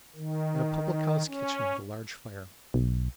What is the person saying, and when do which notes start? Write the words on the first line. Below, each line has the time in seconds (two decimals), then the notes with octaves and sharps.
In a public-house kitchen with a large fire.
0.16 D#3
1.26 C#4
2.74 B1